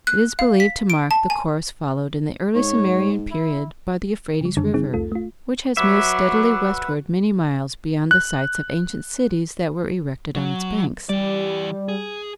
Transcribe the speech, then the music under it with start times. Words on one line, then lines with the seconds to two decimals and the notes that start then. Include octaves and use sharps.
It is believed to mark the course followed in the early Sumerian period by the Euphrates river, which has moved steadily westward many miles beyond the sites of ancient cities that were erected on its banks.
0.07 F#6
0.39 F5
0.60 B6
0.90 D7
1.11 A5
1.30 G#5
2.55 G#2 C#5
3.31 E4
4.41 C#3 G3
4.57 F#2 D3 D#3 G3 D4
4.74 C#3 G3 C4 D#4 G#4
4.94 C2 F2 A3 F4 A4
5.12 A3 F4
5.77 F#3 B4 E5 F#5 D6
8.11 F#6
10.35 F#3
11.09 E3 G3 D5
11.89 G#4